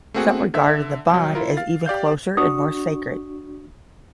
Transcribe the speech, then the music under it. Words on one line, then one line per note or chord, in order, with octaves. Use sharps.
Some regarded the bond as even closer and more sacred.
A3 A#3 C4 F#4 G#4 F#5
D3 E5
C2 F#3
E4 F4 A#4
F5 A6
G4 D5 F5 G6
D4 F#4 C#6 D#6